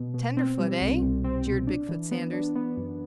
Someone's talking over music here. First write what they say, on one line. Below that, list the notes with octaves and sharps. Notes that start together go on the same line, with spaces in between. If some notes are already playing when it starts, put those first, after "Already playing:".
"Tenderfoot, eh?" jeered Big-foot Sanders.
Already playing: B2
B2
C4
G3
C2
C2
C4
B2
D4
E3
B3
D4
B3
F#2